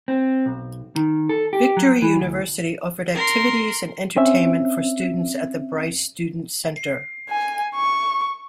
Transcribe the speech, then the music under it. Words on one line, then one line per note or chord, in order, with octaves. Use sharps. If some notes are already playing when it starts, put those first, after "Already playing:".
Victory University offered activities and entertainment for students at the Bryce Student Center.
C4
B1
D#3
A4
G4
F#3
E3
D2
A#4 C6
C4 C#4 E5
G#5
C#6